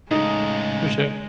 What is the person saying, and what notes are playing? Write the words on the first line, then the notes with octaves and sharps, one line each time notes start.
For sure.
A2 C#3 G#3 D#4